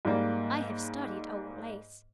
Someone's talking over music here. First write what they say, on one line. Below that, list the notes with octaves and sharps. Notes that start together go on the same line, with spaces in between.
I have studied old lace.
G#2 G3 A#3